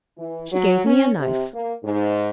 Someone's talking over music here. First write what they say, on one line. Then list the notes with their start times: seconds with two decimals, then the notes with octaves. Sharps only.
'She gave me a knife.'
0.18 E3
0.52 F#3
0.86 C#4
1.19 C3
1.54 A#3
1.84 G#2